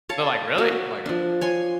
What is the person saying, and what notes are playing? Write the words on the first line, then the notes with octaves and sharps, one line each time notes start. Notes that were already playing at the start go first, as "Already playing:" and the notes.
They're like, "Really?" I'm like, "Okay.
C#5 F5 A5
F#4
F3 D4
C#5 G#5 C6